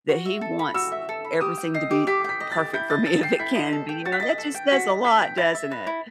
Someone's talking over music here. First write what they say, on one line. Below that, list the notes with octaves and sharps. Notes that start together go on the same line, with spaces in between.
that he wants everything to be perfect for me if it can be, you know? And that just says a lot, doesn't it?
F#4
E5
A4
B5
F#4 E6
E5
A4
B5
G4 D#6
G5
D#5 C7
G4
G4 B6
G5 B6
D#5
A6
G4
E4 G6
D#5 A6
A4 A6
G5 C7
E4 B6
D#5
A4
G5
F#4 A6
B6
D#5 A6
A4
G5
F#4 B6
D#5
A4 B6
G5
E4 A6
E5
B4
E4